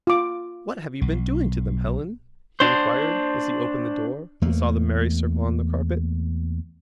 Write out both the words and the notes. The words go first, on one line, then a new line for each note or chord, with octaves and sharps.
"What have you been doing to them, Helen?" he inquired, as he opened the door, and saw the merry circle on the carpet.
F4 D6
B1
D4 C5
E2 A3 A#3